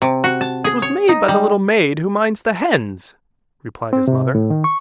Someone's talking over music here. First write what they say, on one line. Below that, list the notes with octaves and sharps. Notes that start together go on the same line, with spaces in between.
"It was made by the little maid who minds the hens," replied his mother.
C3
F#4
A5
G#4
C#5
D#4
G3
C4
C3
A2
D#3
C#6